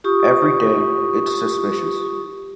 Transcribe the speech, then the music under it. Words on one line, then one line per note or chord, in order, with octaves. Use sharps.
Every day... it’s suspicious!
F4 G4 C#6 D#6